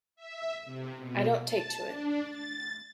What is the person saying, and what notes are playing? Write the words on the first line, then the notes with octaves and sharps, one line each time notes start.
I don't take to it.
E5
C3
B2
A5
D4
A6